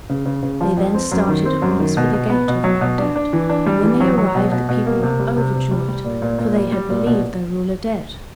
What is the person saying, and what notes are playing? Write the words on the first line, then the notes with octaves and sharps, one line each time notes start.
They then started at once for the gate of Bagdad; and when they arrived, the people were overjoyed, for they had believed their ruler dead.
C#3
C#3
C#3
F3
F2
C4
F#2
D#3
C4
F#2
D#3
B2
B2
B3
B2
F#3
B2
D4
D4
E3
D4
G3
E3
F#3
F#3
B2
B2
B2
A#3
C3
G3
C3
C3
G3
G3
A#2
A#2
A#2
G3
G3
A#2
B2